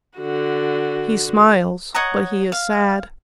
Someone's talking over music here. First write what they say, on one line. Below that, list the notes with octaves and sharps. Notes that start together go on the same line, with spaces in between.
He smiles, but he is sad.
D3 F#4
C#5 D#5 F#5 A#5
F5